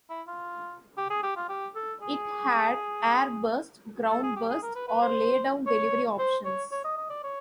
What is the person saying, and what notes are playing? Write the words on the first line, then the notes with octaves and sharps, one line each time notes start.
It had air burst, ground burst or laydown delivery options.
E4
F4
G4
G#4
G4
F4
G4
A4
G#4
A4
G#4
G4
G#4
A#4
B4
B4
C5
C#5
C5
C#5
C#5
D#5
D#5
D5
C#5